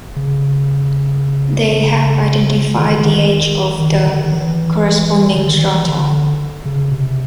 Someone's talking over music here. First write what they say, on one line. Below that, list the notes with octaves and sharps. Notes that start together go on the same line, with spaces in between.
They help identify the age of the corresponding strata.
C#3
C#3
D#3
D3
D#3
D#3
D#3
D3
D#3
E3
D3
D#3
E3
E3
D3
C#3
C3